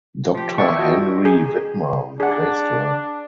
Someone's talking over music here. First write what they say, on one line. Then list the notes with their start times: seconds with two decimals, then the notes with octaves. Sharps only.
Doctor Henry Widmer replaced her.
0.35 F3 G4
0.58 D4 E4 D5 C#6
0.79 F4 F#4 D#5 G5
1.25 G#4
2.20 D4 G#4 F#5